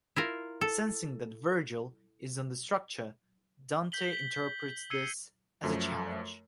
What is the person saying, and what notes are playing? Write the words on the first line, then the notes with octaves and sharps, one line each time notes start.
Sensing that Vergil is on the structure, Dante interprets this as a challenge.
E4 F4 A#4
A4
G6 B6 F#7 G7
B6
B6
E6 G#6 C7 C#7 D#7 G7
F#2 F3 A3